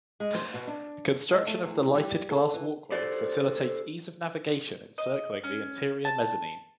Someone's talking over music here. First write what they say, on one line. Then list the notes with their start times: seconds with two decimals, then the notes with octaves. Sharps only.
Construction of the lighted glass walkway facilitates ease of navigation encircling the interior mezzanine.
0.20 G#3
0.35 C5
0.54 B2
0.67 D4
1.32 G#3
1.47 A3
1.64 E2
1.95 G3
2.31 A4
2.54 E3
2.92 G4 A4 C5 D5
4.98 D#5
5.44 C#4
6.05 A5